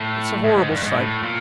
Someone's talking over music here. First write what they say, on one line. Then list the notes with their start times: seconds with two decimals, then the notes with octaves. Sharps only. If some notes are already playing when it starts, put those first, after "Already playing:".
It's a horrible sight.
Already playing: A2
0.44 G#2
0.57 G#2
0.70 G2
0.83 G#2
0.96 A2
1.23 A#2